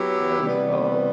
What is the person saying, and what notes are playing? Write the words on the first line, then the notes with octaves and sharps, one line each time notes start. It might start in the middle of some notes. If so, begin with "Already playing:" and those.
and, uh,
Already playing: F#3 B3 E4 G4
C3 E3 G3 B3